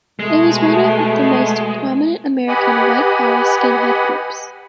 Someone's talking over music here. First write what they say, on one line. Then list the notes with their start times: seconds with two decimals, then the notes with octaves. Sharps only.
It was one of the most prominent American white power skinhead groups.
0.20 B2 G#3 A3
2.48 G4 B4 D#5 F#5 G#5 B5